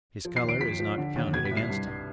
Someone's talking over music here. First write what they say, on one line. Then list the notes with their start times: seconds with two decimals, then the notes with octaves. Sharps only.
His color is not counted against him.
0.25 F3
0.36 C7
0.43 D#2
0.49 D7
0.61 F3 B6
0.79 F3
0.98 D3
1.15 D#2
1.33 B2 G#6
1.45 B6
1.51 C2
1.57 C7
1.69 G2
1.87 G2